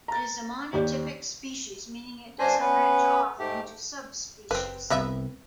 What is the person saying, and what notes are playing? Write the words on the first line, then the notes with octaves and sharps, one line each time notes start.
It is a monotypic species, meaning it doesn't branch off into subspecies.
A#5 A6
D#2 G4 D5
G2 D4 C5 G#5
B3 C#4 B4
G#2 A3 G4
F#1 C4 B4
C2 C3 B3 B4 E5